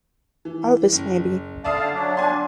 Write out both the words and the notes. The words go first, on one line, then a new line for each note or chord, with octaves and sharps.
Elvis maybe.
E3
F#1
D3 D5 E5 F5 A5 D#6
F#3 D4
G#5 C6